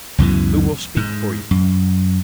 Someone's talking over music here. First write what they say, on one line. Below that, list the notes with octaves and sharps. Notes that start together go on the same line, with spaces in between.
"Who will speak for you?"
C#2 F#2 B2 E3
G#2
F#2